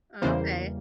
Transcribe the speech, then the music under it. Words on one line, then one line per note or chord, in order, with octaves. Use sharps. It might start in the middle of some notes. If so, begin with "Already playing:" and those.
Oh, okay.
E2 C#3 E3 G3 A#3 C5